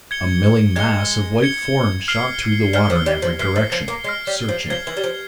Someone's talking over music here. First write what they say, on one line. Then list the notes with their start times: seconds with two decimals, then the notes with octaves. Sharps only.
A milling mass of white forms shot through the water in every direction, searching.
0.11 G#6 C#7 G7
0.76 G#3 G#6 C#7 G7
1.42 G#6 C#7 G7
2.08 F6 C7 G7
2.73 G3 F6 C7 G7
2.90 F3
3.06 G3
3.22 F3
3.39 E3 F6 C7 G7
3.56 F3
3.72 F3
3.88 A#3
4.04 G#3 F6 C7 G7
4.27 G3
4.48 F3
4.70 F3 G#6 C7 G7
4.87 E3
4.97 G3
5.04 F3